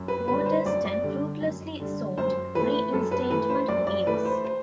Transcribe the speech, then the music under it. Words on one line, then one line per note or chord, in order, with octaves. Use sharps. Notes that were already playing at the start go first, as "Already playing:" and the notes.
Watterston fruitlessly sought reinstatement for years.
Already playing: F#2
B4
D3 G3 B4
C5
F#2 D5
D5
D3 G3
F#2
D3 G3
F#2 C5
E3 A3 B4
F#2 A4
B4
E3 A3 B4
C5
F#2 D5
D5
E3 A3 B4
C5
C5